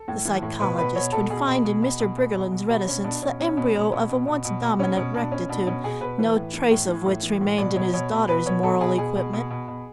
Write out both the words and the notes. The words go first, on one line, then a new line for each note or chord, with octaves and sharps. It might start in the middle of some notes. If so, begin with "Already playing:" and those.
The psychologist would find in Mr. Briggerland's reticence the embryo of a once dominant rectitude, no trace of which remained in his daughter's moral equipment.
Already playing: A4
A2
E3
A2
B2 B4
B2 B4
B2 C#5
B2 A4
B2 G#4
B2
B2
B2
B2
B2
B2
B2
B2 F#4
B2 C#4
B2 D4
B2 C#4
B2 C#4
B2
B2
B2
B2
B2
B2
B2
B2 C#4
B2 C#4
B2 D4
B2 C#4
B2 D4
B2 C#4
B2 G#4
B2 B4
E3 B4
A2
E3
A2
E3
A2
E3
A2
B2 D5
B2 C#5
B2 C#5
B2
B2 B4
B2 C#5
B2 A4
B2 G#4
B2 G#4
B2
B2
B2
B2